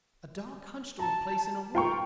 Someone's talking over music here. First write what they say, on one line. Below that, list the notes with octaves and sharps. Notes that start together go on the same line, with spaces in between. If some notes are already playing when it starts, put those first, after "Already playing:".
A dark hunched old place in a wood.
A5 A#5
F4 G5 A#5 C#6